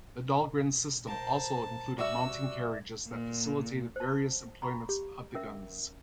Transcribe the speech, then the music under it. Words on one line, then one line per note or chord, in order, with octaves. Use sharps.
The Dahlgren system also included mounting carriages that facilitated various employments of the guns.
A#4 C5 A5
G3 F#4 D5 E5 E6
A#2
C5 A5
A#5 B5 C#6
G4
C#4 A#4 E5